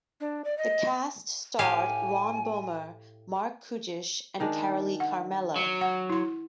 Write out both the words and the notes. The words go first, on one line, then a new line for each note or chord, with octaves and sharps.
The cast starred Ron Bohmer, Marc Kudisch and Carolee Carmello.
D4
D5
D#5
A2 G4 F5 G#5
D#3 G#3 D4
F#5
F#3
F#5
E4 C6